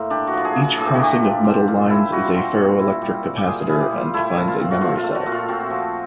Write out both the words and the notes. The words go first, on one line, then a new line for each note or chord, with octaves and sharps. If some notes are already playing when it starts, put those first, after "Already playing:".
Each crossing of metal lines is a ferroelectric capacitor and defines a memory cell.
Already playing: A2 A#3 C5
D4 G4
F#4
F3
G#4
A#3
G#4
A2 G#4
G4
F#4
D4 G4
F3
C4
A#2
E4
G3 F#4
F4
C4 F#4
A#2
E4
G3
C4
G4
A#2 G#4
G#4
E4
G4
G3
F4
A3 E4
A#2
F4
C4
F#4
F3 F4
F4
A3
F#4
A#2
F4
C4 F#4
F3